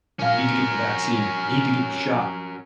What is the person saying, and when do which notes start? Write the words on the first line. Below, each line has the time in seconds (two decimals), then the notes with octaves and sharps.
I need to get the vaccine, I need to get the shot,
0.19 A#2 C#4 A#4 F5